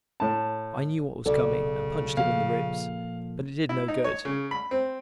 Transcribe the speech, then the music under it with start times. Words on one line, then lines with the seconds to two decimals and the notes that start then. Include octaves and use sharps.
I knew what was coming and punched him in the ribs, but it did no good.
0.20 A2 A5
1.26 B1 C#3 A4 D5
2.17 A#2 F3 A#3 F5
3.69 E4
3.88 D#4
4.04 C#5
4.25 C#3
4.51 B5
4.71 C4